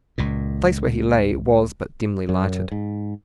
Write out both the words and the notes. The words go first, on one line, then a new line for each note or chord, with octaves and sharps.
The place where he lay was but dimly lighted.
C#2 A#2
F#2
G#2